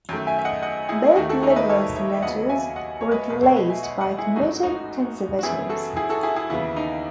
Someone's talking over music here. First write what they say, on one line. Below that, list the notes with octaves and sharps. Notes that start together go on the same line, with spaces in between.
Both liberal senators were replaced by committed conservatives.
F#2 D#3 A3
E5 G#5
E5
D#5 F#5
D#5 F#5
E4 G#4
D#2 D#3 A3 D#4 F#4
F#4 A4
D#4 F#4
E5
B4 D#5
A4 C#5
C#5 E5
E5
D#2 C#3 F#3 B3 D#5 F#5
E5 G#5
D#5 F#5
C#5
B4 D#5
B1 B2 A3 B4 D#5
A4 C#5
B4 D#5
E5 G#5
D#5 F#5
D#5 F#5
E4 G#4
A1 G#2 F#3 A3 D#4 F#4
D#4 F#4
F#4
F#1 F#2 E3 B3 E4 G#4
F#4 A4
E4 G#4
F#4 A4
E4 G#4
E4 G#4
D#2 C#3 E3 B3 E4
D#4